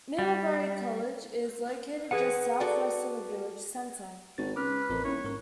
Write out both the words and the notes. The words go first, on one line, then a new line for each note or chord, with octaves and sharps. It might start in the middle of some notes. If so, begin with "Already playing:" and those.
Middlebury College is located just southwest of the village center.
G3
G#4 B4 F#5
F#4 A4 D5
G#1 F#4 A6
C#2 B4 D6 F6
A1 F2 A#4
D#1 C#4 E4 C#5
G#2 A#4 C#6